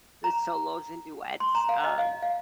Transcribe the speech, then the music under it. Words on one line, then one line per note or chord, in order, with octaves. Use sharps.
the solos and duets. Um,
A#5
C6
A#5
F5
D#5
F5
F5